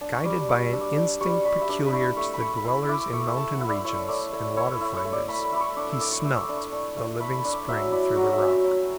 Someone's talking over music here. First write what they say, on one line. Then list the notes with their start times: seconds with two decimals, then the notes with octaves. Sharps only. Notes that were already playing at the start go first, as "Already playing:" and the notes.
Guided by an instinct peculiar to the dwellers in mountain regions and water finders, he "smelt" the living spring through the rock.
0.01 D4 A5
0.14 C#6
0.25 G3 D6
0.49 G3 C#6
0.65 E6
0.73 D4
0.81 D6
0.97 D4 D6
1.21 G3 C#6
1.45 G3 B5
1.61 E5
1.69 D4 D5
1.86 B5
1.93 E4 C#6
2.17 A3 C#6
2.34 B5
2.41 A3 C#6
2.57 B5
2.65 E4
2.89 E4 D6
3.13 A3 C#6
3.36 A3 A5
3.53 F#5
3.61 E4
3.69 D5
3.84 E4 C#5
4.08 A3 D5
4.33 A3 C#5
4.57 E4 C#5
4.81 E4
4.96 C#5
5.05 A3
5.12 D5
5.28 A3 B5
5.44 B5
5.52 E4 D6
5.60 C#6
5.77 D4 D6
5.89 E6
6.00 A3 D6
6.12 C#6
6.24 A3 E6
6.40 D6
6.49 D4
6.56 C#6
6.72 D4
6.96 A3
7.20 A3 B5
7.36 B5
7.44 D4
7.52 D6
7.68 F#3 E5
7.92 E4 D5
8.16 F#3 F#4
8.33 E5
8.40 C#4
8.48 E5
8.64 F#3 G5